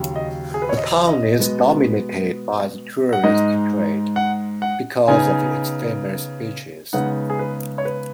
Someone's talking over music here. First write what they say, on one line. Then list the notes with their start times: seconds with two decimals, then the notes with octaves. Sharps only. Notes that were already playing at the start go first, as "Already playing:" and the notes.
The town is dominated by the tourist trade, because of its famous beaches.
Already playing: D#2 C#3 F#3
0.16 D#5
0.54 G#4
0.62 B4
0.69 C#5
0.77 D#5
1.07 D#5
1.39 B2 G#3 B3
3.13 F#5
3.23 G#2 G#3 D#4 D#5
4.16 F#5
4.62 F#5
5.08 C#3 B3 D#4 G#5
6.93 C#3 G#3 B3 D#4 F#5
7.30 G#4
7.39 B4
7.78 C#5
7.85 B4